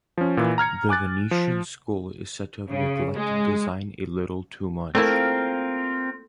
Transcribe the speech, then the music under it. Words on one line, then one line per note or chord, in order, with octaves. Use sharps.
The Venetian school is said to have neglected design a little too much.
F3 C#4
A#2 E3
A#5 F6 G#6 C#7
G#5 D6 F#6 A6
F3
C#3
G#3
A3 A#3 C4 E4 F4 A#4